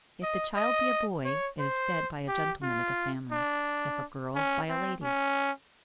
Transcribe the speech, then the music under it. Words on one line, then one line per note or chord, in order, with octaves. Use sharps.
If the child be a boy, it is fed by a gentleman of the family; if a girl, by a lady.
D#5
D#5
C#5
C5
G4
F4
D4
C#4
C4
C#4